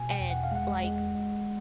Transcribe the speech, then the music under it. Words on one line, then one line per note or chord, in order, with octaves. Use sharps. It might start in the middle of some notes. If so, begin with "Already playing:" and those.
and, like,
Already playing: B2 G#5
G5
E2
F#5
F5
G#3 F#5
G#3
G#3